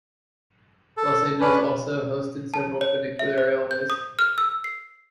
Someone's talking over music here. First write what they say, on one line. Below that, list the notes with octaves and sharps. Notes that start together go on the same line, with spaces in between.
Los Angeles also hosted several funicular railways.
A4
C#4 D4 B4
A5
C#5
E5
C5
G6
D#6
F6
E6
C7